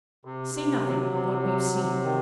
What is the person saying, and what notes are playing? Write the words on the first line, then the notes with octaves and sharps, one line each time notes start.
Say nothing of what we've seen.
C3
C3
F#3
C3
F#3
C3
D#3